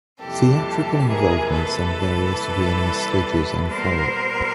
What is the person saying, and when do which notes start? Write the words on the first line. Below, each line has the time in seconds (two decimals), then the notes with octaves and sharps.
Theatrical involvements on various Viennese stages followed.
0.19 F2 C3 E3 G3 A#3 G4 A4
1.07 G#4 A#4
1.51 A4 B4
1.95 C3 E3 G3 A#3
3.69 A#2 G3 B3 A#4 C5